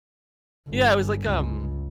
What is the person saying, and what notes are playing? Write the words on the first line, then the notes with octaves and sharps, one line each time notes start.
Yeah, it was like, um,
G1
C#2